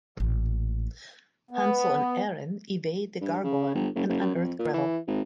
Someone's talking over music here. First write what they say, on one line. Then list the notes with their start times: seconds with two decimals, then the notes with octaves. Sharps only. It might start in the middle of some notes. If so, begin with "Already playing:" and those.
Hansel and Ehren evade the gargoyle and unearth Gretl.
0.20 A1 A#2
1.51 B3
3.21 G2
3.44 C#3
3.75 G1
3.95 F#1
4.09 F#1
4.21 F#2
4.35 F2
4.59 A#2
4.74 E3
5.07 G#1